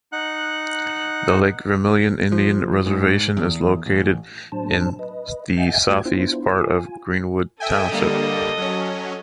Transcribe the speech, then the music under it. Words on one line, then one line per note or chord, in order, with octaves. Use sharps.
The Lake Vermilion Indian Reservation is located in the southeast part of Greenwood Township.
D#4 F#5 F#6
F3
G#2
E2
A1
A2 F#3 D4 C5 A5
B4 D#5
D#5 E5 F#5 G#5 G6 A6
E2 A3 F#4 G5 G#6
B3 D4 E4 F4 C5
F4 G#5
A4 D#5 E5 G5 G#5
D3 G3 A#3
F#3 C#4